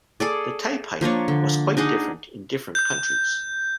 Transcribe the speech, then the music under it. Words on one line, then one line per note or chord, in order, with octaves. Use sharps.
The type-height was quite different in different countries.
G#4 A4 D5
F3 A#3 D4 C#5
D3
D4 D#4 G#4 F#5
G6